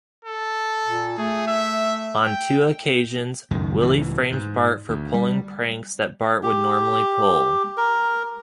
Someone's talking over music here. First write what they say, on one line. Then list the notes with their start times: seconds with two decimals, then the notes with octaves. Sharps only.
On two occasions, Willie frames Bart for pulling pranks that Bart would normally pull.
0.25 A4
0.86 A#2
1.18 A3 G#4
1.48 E5
2.25 G5
3.51 C#2 F#2 A2 D#3
3.80 C#2 A2 E3
4.32 G#2
4.89 D2
5.14 G3
6.43 G4
7.77 A#4